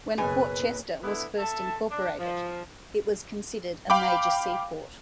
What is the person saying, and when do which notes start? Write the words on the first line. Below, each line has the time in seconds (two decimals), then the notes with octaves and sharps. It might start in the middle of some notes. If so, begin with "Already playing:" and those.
When Port Chester was first incorporated, it was considered a major seaport.
0.18 F#1 B2 G#4 B4 G#5
1.03 D3 A3 B3 E4
1.38 A4 E5 A5
1.91 D4
2.19 F3
3.90 F5 G5 B5 D6